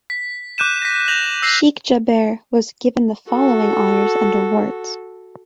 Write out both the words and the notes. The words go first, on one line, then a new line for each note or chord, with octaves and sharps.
Sheikh Jaber was given the following honors and awards.
B6
D6 F#6 G6 D#7 E7
A#6 B6
G6 A#6 F7 F#7
E6 A#6 C7
F#4 A4